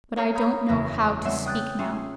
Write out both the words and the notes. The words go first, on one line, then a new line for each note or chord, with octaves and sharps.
But I don't know how to speak now.
G#4 C#5 F5 A#5 F6 G6
A#5 B5 D#6 G6 G#6
F#1 E2 B4 A#6
G3 G#3 B3 C4 C#5 E5
G5 D#6 F#6 G6 A6
A3 C#4 F4 G#4